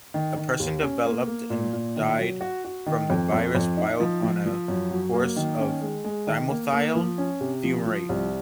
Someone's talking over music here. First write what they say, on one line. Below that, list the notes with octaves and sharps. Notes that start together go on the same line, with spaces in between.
A person developed and died from the virus whilst on a course of dimethyl-fumarate.
D#3
D#3
D#2
C#4
A#3
A#3
A#2
A#2
D#3
F#3
F#4
F#4
D#3
F2
F2
F2
D#4
F3
F3
F3
F#2
F#3
A#3
D#3
C#4
G#3
G#3
D#3
A#3
A#3
F3
C#4
C3
F3
F3
C2